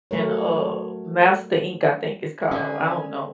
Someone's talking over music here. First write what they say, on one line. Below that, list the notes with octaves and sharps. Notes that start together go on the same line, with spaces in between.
and, uh, Master Ink, I think it's called, I don't know.
F#3 A3 A#4 C#5
D3 C#4 G#4 G#5